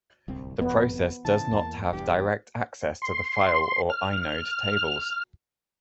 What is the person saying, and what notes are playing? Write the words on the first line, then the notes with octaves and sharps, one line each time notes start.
The process does not have direct access to the file or inode tables.
D1 C2 C4
G1 F2 C3 B3
C#3 E3 A5
E2 A#3
E1 E2 G2 G4
C6
F6